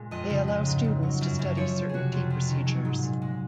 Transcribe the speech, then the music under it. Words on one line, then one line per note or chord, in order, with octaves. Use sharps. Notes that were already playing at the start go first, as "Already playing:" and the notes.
They allow students to study certain tea procedures.
Already playing: A#2 G#3
F2 D#5
C#3
G#3 D#5
G#2
G#2
F#3
F#2
F#2
F3 C#5
F3
C3 F#4 G#4
F2
F2
D#3
F#3 G#4
G#2
A#2
G#3